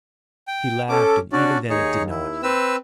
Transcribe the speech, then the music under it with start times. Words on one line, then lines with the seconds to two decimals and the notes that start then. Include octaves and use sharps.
He laughed, and even then it did not.
0.48 G5
0.89 C#4 A4 D6
1.32 C#4 D4 F#4 D5
1.70 D#2 D#4 G#4 C#5
2.10 E4
2.43 C4 B4 E6